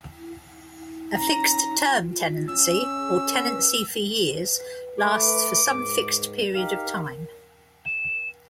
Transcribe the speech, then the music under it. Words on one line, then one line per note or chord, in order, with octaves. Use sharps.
A fixed-term tenancy or tenancy for years lasts for some fixed period of time.
C#4 A#5
C#4 E6
A3 B4 D6
G#2
D#4 G4 F5
E7